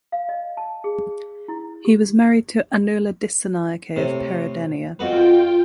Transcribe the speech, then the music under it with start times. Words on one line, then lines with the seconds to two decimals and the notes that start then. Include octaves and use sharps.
He was married to Anula Dissanayake of Peradeniya.
0.12 F5
0.29 D#5
0.57 A5
0.84 G#4
1.48 E4
1.85 G4
3.96 A2 C3
4.99 F2 F4 F#4 B4 G5